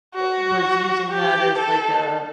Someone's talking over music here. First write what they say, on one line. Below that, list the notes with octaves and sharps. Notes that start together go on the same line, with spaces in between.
uh was using that as, like, a
F#4
G4
A4